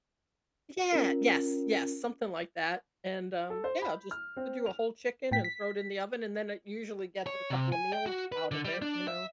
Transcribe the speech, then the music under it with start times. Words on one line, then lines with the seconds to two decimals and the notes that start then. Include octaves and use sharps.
Yeah, yes, yes, something like that, and, um, yeah, I'll just do a whole chicken and throw it in the oven, and then it usually gets a couple of meals out of it, you know,
0.92 C#4 F4 A#4
3.50 A4
3.64 C5
3.82 B5
4.11 F6
4.37 C4
4.66 F7
5.32 A2 G5 B6
5.44 B6
7.26 C#5
7.50 C3
7.72 G#5
7.93 G5
8.06 F#4
8.32 B4
8.51 D3
8.65 G3
8.82 D4
9.08 E5